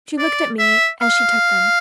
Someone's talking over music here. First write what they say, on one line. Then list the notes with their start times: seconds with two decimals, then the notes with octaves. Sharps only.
She looked at me as she took them.
0.19 D5
0.59 E5
1.01 F5